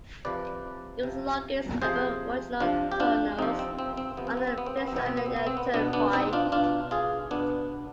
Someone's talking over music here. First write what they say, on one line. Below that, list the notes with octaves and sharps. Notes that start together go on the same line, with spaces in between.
It was the longest of the original tunnels on the Pennsylvania Turnpike.
C3 F3 B4 D5
C3 F3
C3 F3 G#4 C5
C3 F3 D4 F4
G4
D4 F4
C3 F3 C4 D#4
C4
C4
C4
C3 F3 B3
C4
B3
C4
B3
C4
B3
C4
B2 B3
C4
B3
C4
B3
C4
B3
B2 B3 D4
B3 D4
C4 D#4
D4 F4
B2 D4 F4
F4 G#4
B2 B3 D4